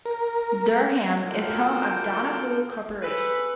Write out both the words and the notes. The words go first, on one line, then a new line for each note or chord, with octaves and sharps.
Durham is home of Donahue Corporation.
A#4
D3 A#3 F4 F#4 A4 G5
C4 G#4 A4 B4